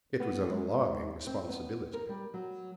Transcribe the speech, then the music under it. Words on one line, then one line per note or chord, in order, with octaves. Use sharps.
It was an alarming responsibility.
B3
G#3
C4
B3
A#4
G3
F#3